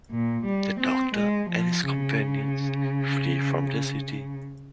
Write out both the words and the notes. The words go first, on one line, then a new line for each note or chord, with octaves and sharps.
The Doctor and his companions flee from the city.
A#2
G3
C4
G#3
F3
C#3